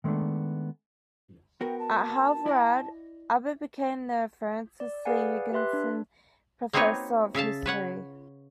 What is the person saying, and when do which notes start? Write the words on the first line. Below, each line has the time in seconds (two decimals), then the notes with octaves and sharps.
At Harvarard Abbott became the Francis Lee Higginson Professor of History.
0.04 D#3 G#3 A3 B3 D4
1.61 B3 F#4 A#4 G5
1.79 A5
2.46 E4 D5 D#5
4.80 D5
5.05 G#4 B4 D5 F5 F#5 G#5
5.52 G4 B4 E5 C6 F#6
5.73 D4
6.73 A#3 C4 D#4 F#4 B4 C#5
7.34 C#3 E5 F5 A5
7.66 B4 C#5 F#5